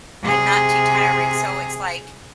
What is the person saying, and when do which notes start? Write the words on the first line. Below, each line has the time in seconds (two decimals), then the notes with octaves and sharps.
and not too tiring. So It's, like,
0.23 C3 G#4